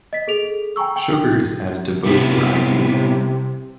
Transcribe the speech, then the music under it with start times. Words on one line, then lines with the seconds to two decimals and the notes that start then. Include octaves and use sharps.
Sugar is added to both varieties.
0.13 D#5 B6
0.28 G#4 A4 D7 F7
0.76 G5 G#5 A#5 C#6 E6
0.96 G5
2.06 C3 G3 B3 E4